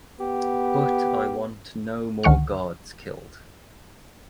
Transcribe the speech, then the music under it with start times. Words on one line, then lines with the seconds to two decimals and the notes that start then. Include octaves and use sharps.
But I want no more guards killed.
0.20 B3 G4
2.23 C#2 D3 D#3 F#5 C#6 F6